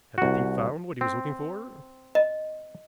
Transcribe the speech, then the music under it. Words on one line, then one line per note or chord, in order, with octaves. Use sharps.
Had the thief found what he was looking for?
C2 F#4
C4
D#5